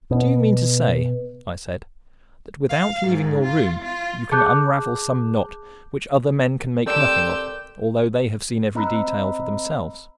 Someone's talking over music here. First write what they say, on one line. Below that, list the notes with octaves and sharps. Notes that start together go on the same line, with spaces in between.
"But do you mean to say," I said, "that without leaving your room you can unravel some knot which other men can make nothing of, although they have seen every detail for themselves?"
B2
F5
G#2
F4
F4
G#4 A5 D6 F#6 G6
C4 G4 A4 A#4 D5 E6 G6
C4 D#5 A#5 B5 E6 F#6